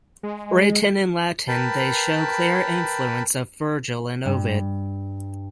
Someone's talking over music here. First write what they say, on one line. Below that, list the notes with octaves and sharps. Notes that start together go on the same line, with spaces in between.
Written in Latin they show clear influence of Virgil and Ovid.
G#3
A#4 B4 G5 A5 B5
G2